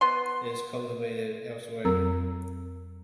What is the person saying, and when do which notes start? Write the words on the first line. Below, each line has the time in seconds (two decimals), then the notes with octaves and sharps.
It is cultivated elsewhere.
0.01 B3 C6
1.85 F2 F#3 C4 A#4 A#5 E6